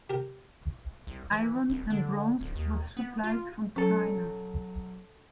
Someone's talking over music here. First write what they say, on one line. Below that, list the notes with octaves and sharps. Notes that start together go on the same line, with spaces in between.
Iron and bronze was supplied from China.
G4 A#4
C2
E3
D#1
D3
D1
D#2
B3
F4
F#3 C#4 A4